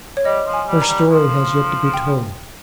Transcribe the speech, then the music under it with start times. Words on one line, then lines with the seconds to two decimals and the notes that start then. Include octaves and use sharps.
Her story has yet to be told.
0.17 C#5
0.25 G3 D#5
0.46 F3
0.53 G#5
0.67 G3
0.82 A#5
0.88 G3
1.10 F3
1.94 G5